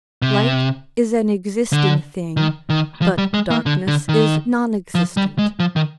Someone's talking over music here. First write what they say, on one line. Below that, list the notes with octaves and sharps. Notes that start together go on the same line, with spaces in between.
Light is an existing thing, but darkness is nonexistent.
C3
D3
D#3
D#3
F3
G3
G#3
A#3
D3
D3
D#3
F3
G3
G#3
F3
D#3